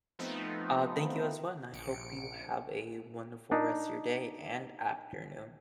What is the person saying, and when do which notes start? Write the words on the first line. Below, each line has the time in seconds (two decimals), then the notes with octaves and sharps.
Uh, thank you as well, I hope you have a wonderful rest of your day and afternoon.
0.19 F3 A3 B3 C4 D#4
1.73 A#1 C#7 D7
3.51 D4 D#4